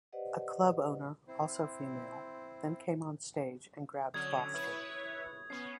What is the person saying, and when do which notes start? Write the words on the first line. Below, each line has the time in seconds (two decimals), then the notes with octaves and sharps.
A club owner, also female, then came on stage and grabbed Foster.
0.13 G4 B4 C5 D5 D#5 F#5
1.28 C4 E4 C5
4.14 D3 F#3 C#4 D#6 G#6
4.54 E4 B4 C#5
5.50 B3 C#4 C7